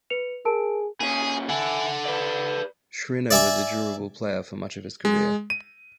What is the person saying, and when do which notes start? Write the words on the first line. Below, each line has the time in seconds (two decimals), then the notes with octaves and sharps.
Schriner was a durable player for much of his career.
0.10 B4 C#7 F7
0.45 G#4 A#4 A5 D7
1.00 A#2 C#4 G#4
1.50 A4 E5 F#5 G#5
2.05 B4 D5
3.31 D5 E5 G#5 D6
5.05 G#3
5.50 D#7